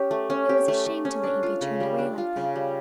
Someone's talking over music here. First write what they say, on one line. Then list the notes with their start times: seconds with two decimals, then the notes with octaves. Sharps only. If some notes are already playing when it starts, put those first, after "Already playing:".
It was a shame to let you be turned away like that.
Already playing: C#4 G4
0.11 A3
0.30 C#4
0.49 G4
0.68 A3
0.86 A3
1.05 C#4
1.24 D4
1.43 F4
1.61 C#3
1.80 G3
1.99 D4
2.18 F4
2.36 C#3
2.55 G3